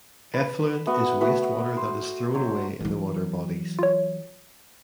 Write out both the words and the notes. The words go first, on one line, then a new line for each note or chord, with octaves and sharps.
Effluent is waste water that is thrown away in the water bodies.
B4
A3 B3 F#4 F#5
A3 F#4 B4 D#6
C5
F#3 C5 C#5
E3 F#3
F4 C#5